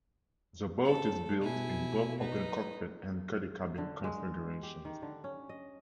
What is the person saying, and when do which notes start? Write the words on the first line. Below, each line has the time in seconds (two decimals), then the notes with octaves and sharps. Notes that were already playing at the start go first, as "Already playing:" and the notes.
The boat is built in both open cockpit and cuddy cabin configurations.
0.85 A4
1.41 B2 E4 G#5
2.18 D#4 B4
3.78 D3
4.04 G#3
4.63 G4
4.85 D#3
5.02 D3
5.24 C#4
5.49 D#5